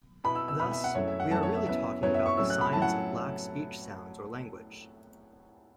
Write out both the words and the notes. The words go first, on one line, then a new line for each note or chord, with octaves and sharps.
Thus, we are really talking about the science of black speech sounds or language.
B2 B3 E4 B5
E6
E6
B2 B3 E4 B5
E5
F#5
F#2 F#3 A3 E4 C#5
E5
F#5
F#2 F#3 A3 E4 A5
C#5
E5
F#2 F#3 B3 E4 E5
F#2 F#3 B3 E4 C#5
E5
C#6
A2 F#3 C#4 E4 E6
F#6
B5
A2 F#3 C#4 E4 A5
F#5